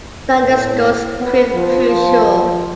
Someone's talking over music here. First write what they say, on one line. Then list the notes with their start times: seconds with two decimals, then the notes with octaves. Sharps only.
London's goals proved crucial.
0.43 A2
1.19 B3
1.54 F3